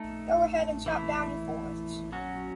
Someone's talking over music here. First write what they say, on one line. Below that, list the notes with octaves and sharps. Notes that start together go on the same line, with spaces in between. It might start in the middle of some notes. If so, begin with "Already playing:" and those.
Go ahead and chop down your forests.
Already playing: A3 D#4 A4
E3 A3 E4
F#3 C#4 F#4